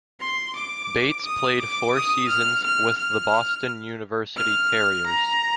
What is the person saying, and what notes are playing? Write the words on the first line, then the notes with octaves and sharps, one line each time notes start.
Bates played four seasons with the Boston University Terriers.
C6
D6
D#6
D6
D#6
F6
F6
F6
F6
A#5